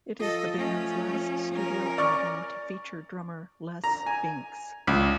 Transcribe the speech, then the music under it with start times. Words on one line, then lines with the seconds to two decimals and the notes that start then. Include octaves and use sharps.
It is the band's last studio album to feature drummer Les Binks.
0.20 F3 A4 D#5
0.54 A3 C#4
1.52 C#4 A#4
1.98 D5 C#6 F6
3.84 A#5
4.06 G#5
4.87 C#2